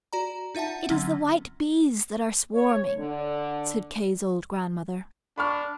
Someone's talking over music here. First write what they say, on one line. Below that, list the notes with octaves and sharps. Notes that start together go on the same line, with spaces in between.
"It is the white bees that are swarming," said Kay's old grandmother.
F#4 D5 A#5
D#4 F4 E5 F#5 A5
D3 F#3 C4 C#4
C#5
D3
D4 B5 C#6 F6